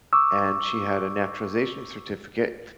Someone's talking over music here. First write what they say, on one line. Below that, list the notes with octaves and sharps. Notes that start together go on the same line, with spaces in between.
and she had a naturalization certificate,
C#6 D6 E6